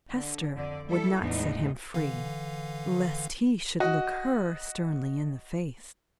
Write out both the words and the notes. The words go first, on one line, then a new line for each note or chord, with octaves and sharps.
Hester would not set him free, lest he should look her sternly in the face.
D3
F2 D3 D5
G3 E4 A4
E2 A2 G#3 B3 D4 D#4
D3 E3 F5
F#4 D#5 F#5